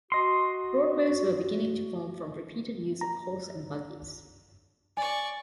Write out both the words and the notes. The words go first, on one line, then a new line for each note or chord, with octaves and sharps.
Roadways were beginning to form from repeated use of horse and buggies.
F#4 D#5 C6
A#5
D5 G#5 C#6